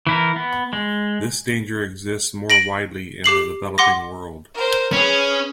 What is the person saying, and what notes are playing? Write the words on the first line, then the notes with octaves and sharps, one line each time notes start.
This danger exists more widely in the developing world.
E3 E4 A#4
B3
G#3
A#6 D7 F#7
G4 D6 C7 F#7
F#5 C6 D6 A#6
A#4 C5
C#4 G#4 B4